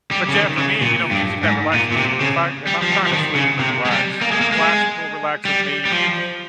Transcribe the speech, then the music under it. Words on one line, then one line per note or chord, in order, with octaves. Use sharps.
But yeah, for me, you know, music that relaxes me, if I if I'm trying to sleep or relax, classical relaxes me.
G3
C#3
D#3
C#3
A#2
G2
G#2
A#2
A#2
C3
C#3
G3
F3
G3
F3
D#3
C#3
C3
G#3
G3
A#3
G#3
A#3
G#3
G3
G3
F3